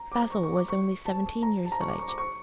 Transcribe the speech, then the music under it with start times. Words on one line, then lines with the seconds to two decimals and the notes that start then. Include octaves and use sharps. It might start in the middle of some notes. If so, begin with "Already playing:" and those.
Bazil was only seventeen years of age.
Already playing: A#5
0.12 D6
0.30 C#6
0.43 C#6
0.56 D6
0.68 C#6
1.05 A5
1.43 A#5
1.65 A5
1.72 A#5
1.81 C#6
1.89 D6
1.99 C#6
2.08 D6
2.18 C#6